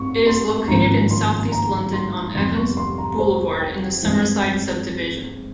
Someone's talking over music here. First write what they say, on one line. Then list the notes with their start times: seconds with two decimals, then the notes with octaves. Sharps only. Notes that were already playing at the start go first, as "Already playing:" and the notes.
It is located in south-east London on Evans Boulevard, in the Summerside subdivision.
Already playing: G2 C4 C#6
0.27 C6
0.68 G#1 G2 F3 A#3 C#4 A#5
1.10 C6
1.52 A#5
1.93 C6
2.35 F2 C3 E3 G3 C6
2.56 C#6
2.77 C6
2.98 A#5
3.19 C5
3.60 G5
4.02 G2 E3 G#3 C4